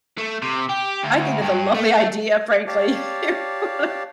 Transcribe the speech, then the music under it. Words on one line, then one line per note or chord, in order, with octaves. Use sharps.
I think that's a lovely idea, frankly. Here you could
A3
C3
G4
D2
G2
A3
G4 C#5 D5 F5 A5